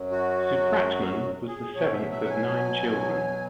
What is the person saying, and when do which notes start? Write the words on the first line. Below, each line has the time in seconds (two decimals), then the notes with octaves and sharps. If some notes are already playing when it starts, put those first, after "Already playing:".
Supratman was the seventh of nine children.
Already playing: F#2 F#3
0.12 F#4
1.47 G#4
1.75 B2 F#3 C#5
1.93 E5
2.11 E5
2.25 F#5
2.30 G#5